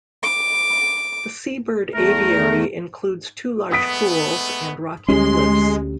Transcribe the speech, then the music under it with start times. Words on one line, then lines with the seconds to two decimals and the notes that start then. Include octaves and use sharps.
The seabird aviary includes two large pools and rocky cliffs.
0.23 D6
1.94 E2 A3 A#4
3.72 G#3 A3 B3 D#6 B6 D7
5.09 D2 G3 G#3 C#4 C6